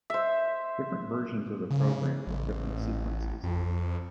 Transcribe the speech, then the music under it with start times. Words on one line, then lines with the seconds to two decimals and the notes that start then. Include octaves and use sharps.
Different versions of the program have different sequences.
0.10 C5 E5
1.70 C#3
2.27 A1
3.43 F2